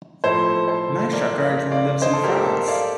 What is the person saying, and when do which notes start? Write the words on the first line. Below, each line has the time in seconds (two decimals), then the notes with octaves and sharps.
Masha currently lives in France.
0.24 A2 F3 A4 C5
0.68 A4 C5
1.13 A#4 D5
1.42 D5 F5
1.71 D5 F5
2.01 C5 D#5
2.13 A4
2.24 G4 A#4
2.45 A4
2.68 D5 F5